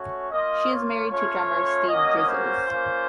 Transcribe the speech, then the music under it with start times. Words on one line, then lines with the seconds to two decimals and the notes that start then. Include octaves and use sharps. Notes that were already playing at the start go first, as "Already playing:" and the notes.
She is married to drummer Steve Drizos.
Already playing: A3 C#4 F#4 C#5
0.31 A#3 F4 D#5
0.71 C#5
1.10 A3 C#4 F4 C#5
1.88 A#3 C#4 F#4 D#5
2.28 C5
2.68 A#3 C#4 F4